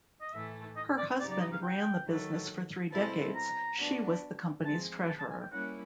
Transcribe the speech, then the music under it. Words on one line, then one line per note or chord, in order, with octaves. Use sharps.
Her husband ran the business for three decades; she was the company's treasurer.
D#5
A2 E3 A3 E5
D#5
D5
C#3 F#3 B3 D#4 G4 D5
D5
D#5
F5
G5
D#3 F#3 A3
B2 G3 C4 E4 A4 A5
A#5
B3 D4 F#4
F3 G#3 C4 A5
A5
A5
G#5
G5
G3 A#3 C#4 E4 F#5